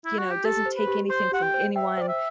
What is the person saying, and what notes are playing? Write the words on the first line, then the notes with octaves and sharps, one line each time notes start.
you know, doesn't take anything from anyone,
E4
F#4
G4
G4 A4
C5
B4
G4
C5 C6
G4 F#5
G5
C5
E5 G5
C5 D5
E5